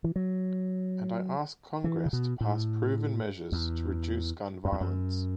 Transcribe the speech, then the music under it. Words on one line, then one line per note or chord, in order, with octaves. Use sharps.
And I ask Congress to pass proven measures to reduce gun violence.
E3
F#3
E3
C#3
B2
A2
E2
F#2
E2
F#2